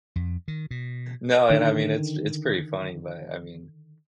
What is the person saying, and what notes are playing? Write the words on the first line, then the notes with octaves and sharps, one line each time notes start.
No, and I mean, it's it's pretty funny, but I mean
F2
D#3
B2
D3 D#3